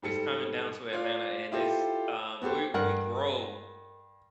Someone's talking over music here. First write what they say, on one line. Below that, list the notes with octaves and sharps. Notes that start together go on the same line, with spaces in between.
is coming down to Atlanta, and it's um, we we grow
G#2 G3 A4 C#7
F4 D5 F5
E4 F4 G4 A4 C5
B3 F#4 G4 A4 C5
G2 A#4 F#5